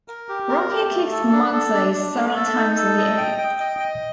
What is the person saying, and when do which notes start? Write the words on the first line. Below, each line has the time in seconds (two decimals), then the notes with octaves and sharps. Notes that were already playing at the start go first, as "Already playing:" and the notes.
Rocky kicks Mugsy several times in the air.
0.08 A#4
0.29 G4
0.49 A#4
0.70 G4
0.90 A3
1.11 A4
1.32 D4
1.52 A4
1.73 D4
1.93 D4
2.15 A3
2.36 A4
2.56 D#4
2.77 A4
2.98 D#5
3.17 G5
3.38 G5
3.60 D#5
3.79 D#5